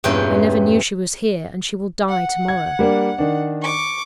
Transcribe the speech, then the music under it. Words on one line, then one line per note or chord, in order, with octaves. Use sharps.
I never knew she was here, and she will die to-morrow.
E2 G2 A#2 E3 C#4 G5
F#5
G#6
G3 A#3 D4
D#3 D4
C#6 D6